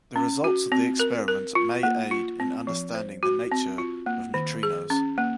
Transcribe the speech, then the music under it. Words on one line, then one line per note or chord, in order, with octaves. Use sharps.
The results of the experiment may aid in understanding the nature of neutrinos.
C#4
F#4
C4
A#4
A#4
F4
A#3
F4
C4
F3
C5
F#4
C4
F4
A#3
D#3
G#4
C#4
A#3